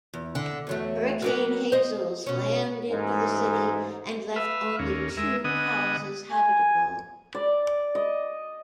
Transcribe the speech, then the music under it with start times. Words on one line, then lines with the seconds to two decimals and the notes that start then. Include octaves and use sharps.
Hurricane Hazel slammed into the city and left only two houses habitable.
0.14 E2
0.35 D3
0.67 E2 F#3 A3
1.22 F#3 A#3 B3
1.72 C5 D#5
2.27 B2 C#4
2.90 A1 G#2
4.36 B4 E5 F5
4.79 D#2 A#3 C#4
5.17 G#3 A#4 E5
5.44 D3 B3 D#5 F#5 G#5 D#6
6.32 G#5
7.35 D5
7.95 D#5